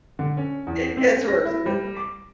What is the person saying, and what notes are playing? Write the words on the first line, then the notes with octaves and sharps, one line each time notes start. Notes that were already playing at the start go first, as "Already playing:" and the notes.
It gets worse, It gets wor
D3
C#4
E2
C4
C#4
A#6
E4
G3
D6